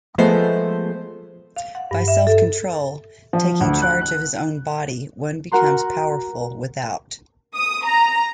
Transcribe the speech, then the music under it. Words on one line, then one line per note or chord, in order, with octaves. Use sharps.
By self-control, taking charge of his own body one becomes powerful without.
F3 G#3 A3 B3 C5
F5
F#5
G2
E5
A4
F3
D2
F#6
F#6
F#4 A#4 F#5 A#5 C6
D#6
A#5